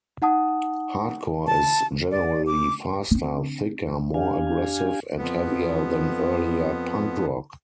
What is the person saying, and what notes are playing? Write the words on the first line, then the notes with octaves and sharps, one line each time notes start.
Hardcore is generally faster, thicker, more aggressive and heavier than earlier punk rock.
D#4 F#5 A5 D#6
A5
D5
D6
C4 D4
D4 G4 F5 G#5
F2 B3